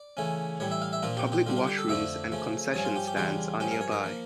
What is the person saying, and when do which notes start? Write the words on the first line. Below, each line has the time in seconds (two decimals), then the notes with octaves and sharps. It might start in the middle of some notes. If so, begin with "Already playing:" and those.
Public washrooms and concession stands are nearby.
Already playing: D5
0.17 C#3 E3 A3 C#4
0.60 A2 E3 G3 C#5
0.71 E5
0.82 F5
0.93 E5
1.03 A#2 F3 A#3 D4 F4
1.17 G4
1.32 G4
1.46 D3 G3 D4 F4
1.57 F4
1.67 G4
1.78 A4
1.88 F2 D3 F3 A3 D4 E5
2.32 C#3 F3 A3
2.74 G2 F3 C#4 C#5
2.85 F4
2.96 G4
3.07 G4
3.17 E2 C#3 G3 D4 F4
3.60 G2 F3 C#4 G4
3.71 A#4
3.81 C#5
3.92 A#4
4.04 F3 A#3